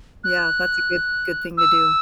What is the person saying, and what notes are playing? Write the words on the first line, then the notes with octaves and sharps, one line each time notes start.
Yeah, that's a good good thing to do.
F#6
E6